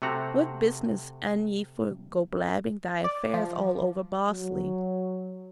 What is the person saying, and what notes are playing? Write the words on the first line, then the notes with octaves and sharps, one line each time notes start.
'What business an' ye for go blabbing thy affairs all over Bosley?
C3 A3 C4 F#4 F#5 A#5
D5
F3
F#3